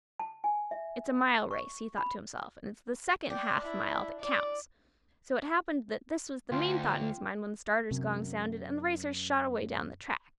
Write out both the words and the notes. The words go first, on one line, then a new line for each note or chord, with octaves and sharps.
"It's a mile race," he thought to himself, "and it's the second half mile that counts." So it happened that this was the main thought in his mind when the starter's gong sounded and the racers shot away down the track.
A5
G#5
E5
C#6
B5
D4 G5
E4
D5
D2 F4 G5
F#2 C3